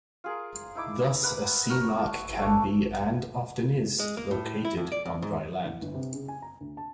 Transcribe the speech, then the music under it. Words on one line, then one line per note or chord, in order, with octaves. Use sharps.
Thus a sea mark can be and often is located on dry land.
F4 G#4 A#4
D#4 E4 D6
A#4 B4 F#5
A#4 C#5 F#5
A5
A3 D4 A4 C#5
G#3
A#3
A2
E4
F2
D5
F2
G#2
A1
G1
C3
C#3
G#5
A#5
D2
A5